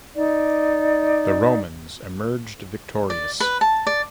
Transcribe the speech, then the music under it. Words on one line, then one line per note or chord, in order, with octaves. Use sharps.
The Romans emerged victorious.
D#4 D5
D5
B4
A5
D5